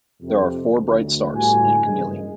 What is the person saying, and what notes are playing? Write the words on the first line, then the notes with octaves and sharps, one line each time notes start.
There are four bright stars in Chamaeleon.
F2 C3
D2
G1 A2 G3 F#4 G#5
F#1 G2 E3 G#3